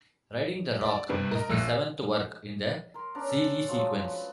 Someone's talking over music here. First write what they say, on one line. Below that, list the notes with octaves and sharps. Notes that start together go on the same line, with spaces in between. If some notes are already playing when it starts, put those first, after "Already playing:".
"Riding the Rock" is the seventh work in the Xeelee Sequence.
D5
G2 C3 G3 B3 D4
A#4 D#5
A#1 E5 E6 F#6 C7
A#4 C6
B3 C#4 D4 A#4
A4
F3 F#3 G#3
B4